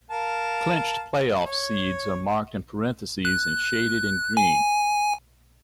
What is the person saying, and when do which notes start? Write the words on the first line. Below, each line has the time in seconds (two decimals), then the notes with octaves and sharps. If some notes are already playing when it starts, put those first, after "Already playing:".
Clinched playoff seeds are marked in parentheses and shaded in green.
0.11 A#4 F5 A5
1.46 C#5
3.25 F#6
4.37 G#5